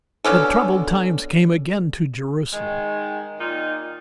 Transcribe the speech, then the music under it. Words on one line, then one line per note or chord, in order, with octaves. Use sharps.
But troubled times came again to Jerusalem.
B2 D3 C#4 A4
D#3 G#3
A#2 D#3 D#4 F4